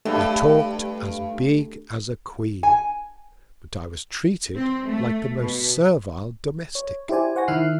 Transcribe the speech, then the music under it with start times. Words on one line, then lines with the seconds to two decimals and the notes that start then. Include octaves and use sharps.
I talk'd as big as a Queen; but I was treated like the most servile Domestic.
0.05 G2 A3 G4 A4
2.63 G#5
4.55 C4
4.87 A3
5.39 B2
6.75 C#5
7.09 E4 G4 C5 D5 G#5
7.36 C5 F#5 G#5 C#6 A#6
7.48 D#3 E4 E5 F6 F#6 C7